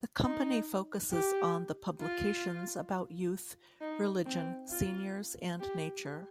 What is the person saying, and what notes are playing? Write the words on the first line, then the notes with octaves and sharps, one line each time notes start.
The company focuses on the publications about youth, religion, seniors and nature.
D#4
G4
F4
D#4
C4
F4
G4